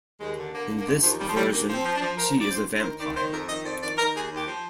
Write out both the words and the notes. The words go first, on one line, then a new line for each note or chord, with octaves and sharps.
In this version she is a vampire.
D#2 G#3
D3
D3 A#3
D3
A#3
D#2 G#3
D#2 F3
D#2 G3
F3
D#2 G3
D2 A#3
F3
C4
F3
D4
F3
F3 A#4
D2
D5
D2 C5
D2
C5
D#3 A#4
D#3 D5
D#3 C5
F2 A#4
D#3 D#5
F2 D5
D#3 D5
D#3 A#4
D#2 G#4
D#2
G4
F3